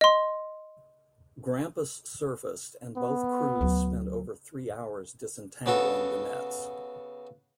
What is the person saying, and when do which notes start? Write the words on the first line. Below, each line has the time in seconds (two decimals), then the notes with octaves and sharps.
"Grampus" surfaced and both crews spent over three hours disentangling the nets.
0.01 D#5 C6
2.96 B3
3.61 D2 F#3
5.66 C#3 B3 F#4 A4